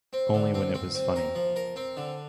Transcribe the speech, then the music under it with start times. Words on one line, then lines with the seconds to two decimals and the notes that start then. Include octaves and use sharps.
Only when it was "funny"!
0.13 C4
0.34 D3
0.54 C4
0.74 C4
0.95 C4
1.16 A#4
1.35 F3
1.56 A#4
1.76 C4
1.97 D3